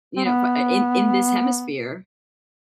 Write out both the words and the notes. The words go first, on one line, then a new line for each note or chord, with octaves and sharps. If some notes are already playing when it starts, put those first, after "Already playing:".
you know f in in this hemisphere.
C4
B3